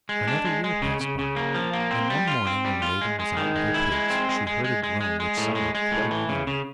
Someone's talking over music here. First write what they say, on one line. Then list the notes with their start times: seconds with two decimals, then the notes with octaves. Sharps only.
Another year passed by, and one morning when the maiden was out with her pigs she heard a groan which sounded quite human.
0.09 G#3
0.27 D4
0.45 G#3
0.64 G#3
0.82 C#3
1.01 C#3
1.19 C#3
1.36 A#3
1.54 F3
1.73 A#3
1.91 C4
2.10 G3
2.28 F4
2.47 C4
2.65 G3
2.82 F4
3.01 G#3
3.20 G#3
3.37 D#3
3.55 G#3
3.74 E4
3.92 G#3
4.10 C4
4.29 G#3
4.47 G#3
4.64 G#3
4.84 G#3
5.01 G#3
5.20 G#3
5.37 A2
5.55 G#3
5.75 G#3
5.92 A2
6.11 E3
6.29 C#3
6.47 C#3